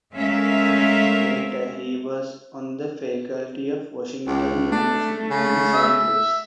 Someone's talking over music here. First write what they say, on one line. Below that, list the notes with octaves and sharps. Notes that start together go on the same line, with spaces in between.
Later he was on the faculty of Washington University in Saint Louis.
G#3 A3 C#4 A#4 E5 F5
C#2
A3 D4
C#3
E5